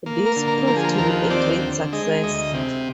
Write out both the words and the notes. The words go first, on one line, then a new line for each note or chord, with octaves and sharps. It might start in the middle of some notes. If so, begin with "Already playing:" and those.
This proved to be a great success.
A#3
A#4
D3
A#4
F3 A#4
G#4
A#4
D#2 A#4
C4 D5
D3
G#3 D#5
D2 D#5
C3